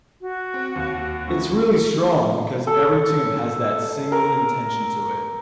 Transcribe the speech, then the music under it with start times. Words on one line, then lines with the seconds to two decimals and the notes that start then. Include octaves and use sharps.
It’s really strong because every tune has that single intention to it.
0.21 F#4
0.54 C4
0.76 D#2
1.26 D2 C#3 C#6
2.67 A4
4.12 A#4